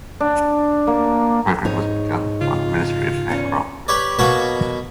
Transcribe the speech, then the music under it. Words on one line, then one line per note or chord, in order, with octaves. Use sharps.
The program was begun by the Ministry of Aircraft Production.
D4
A#3
G#2 D#4 C#5
C#3 F4
E2 C#3 C#4 C#7
G4 B4 C#5 D5
B2 A#3 F#4 B4 C#5 A5